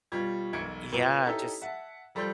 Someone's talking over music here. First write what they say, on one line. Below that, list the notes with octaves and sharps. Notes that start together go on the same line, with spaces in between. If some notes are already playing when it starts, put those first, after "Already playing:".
Yeah, just
B2 G3 F4 G#6
E1 B1 G#6 C#7 D7
A#2 B4
C#4 D#4 E4 G4 A4 E5
E5 F#5 A5
F3 G3 A4 D5 C6 G6